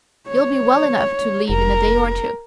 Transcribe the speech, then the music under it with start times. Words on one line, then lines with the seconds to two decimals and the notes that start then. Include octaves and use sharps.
You'll be well enough to leave in a day or two.
0.28 C#5
1.50 F1 A#4